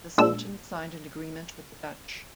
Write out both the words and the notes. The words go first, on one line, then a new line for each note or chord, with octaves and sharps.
The Sultan signed an agreement with the Dutch.
A#2 G#3 D4 E6